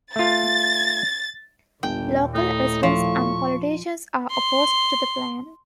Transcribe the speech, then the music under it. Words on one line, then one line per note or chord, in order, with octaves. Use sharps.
Local residents and politicians are opposed to the plan.
A3 F4 A6
G1 D#2 A#2 G5
A2 D#4
F3 C#6
C6